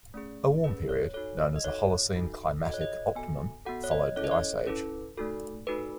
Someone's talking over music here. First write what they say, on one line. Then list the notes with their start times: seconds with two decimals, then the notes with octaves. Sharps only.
A warm period, known as the Holocene climatic optimum, followed the ice age.
0.14 A3 C#4 G#4
0.64 A3 C#4 G#4 B4
0.89 C#5
1.14 D#4 F#4 A4 C#5
1.56 D#5
1.64 D#4 F#4 A4 C#5
2.16 D#4 F#4 A4
2.65 D#4 F#4 A4 D#5
2.74 C#5
2.81 D#5
3.15 B3 F#4 A4 G#5
3.65 B3 F#4 A4 F#5
3.84 C#5
3.91 D#5
4.16 C#4 E4 A4 C#5
4.24 D#5
4.31 C#5
4.66 C#4 E4 A4 B4
5.18 A3 D#4 F#4 A4
5.67 A3 D#4 F#4 A4 B4